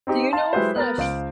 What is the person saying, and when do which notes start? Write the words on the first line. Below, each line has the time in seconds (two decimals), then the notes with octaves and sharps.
Do you know if the sh
0.07 C4 D#4 G4
0.33 F5 A5 C6
0.53 F#3 G#3 E4 G4 B4 C5
0.76 B3 A#4 A6
0.98 C#2 C5 F5 D7